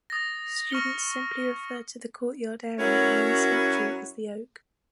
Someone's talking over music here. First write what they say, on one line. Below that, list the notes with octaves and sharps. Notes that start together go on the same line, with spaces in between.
Students simply refer to the courtyard area around this oak tree as The Oak.
D#6 A6 A#6
C#6 F6 A#6 C#7 G7
F#3 C#4 E4 F#4 A#4 C#5